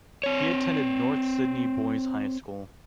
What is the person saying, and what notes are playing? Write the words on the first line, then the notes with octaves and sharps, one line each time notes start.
He attended North Sydney Boys High School.
C4 C#5